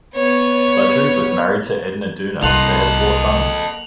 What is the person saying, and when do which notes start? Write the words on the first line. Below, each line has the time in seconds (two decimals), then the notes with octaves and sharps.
Budrys was married to Edna Duna; they had four sons.
0.15 B3 C#5
2.43 C2 A#3 A4 D#5 F#5 C6 F7 F#7